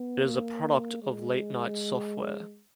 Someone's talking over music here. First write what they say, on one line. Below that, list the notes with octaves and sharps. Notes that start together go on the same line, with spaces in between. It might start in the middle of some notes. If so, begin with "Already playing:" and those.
It is a product of Late Night Software.
Already playing: B3
A#3
G#3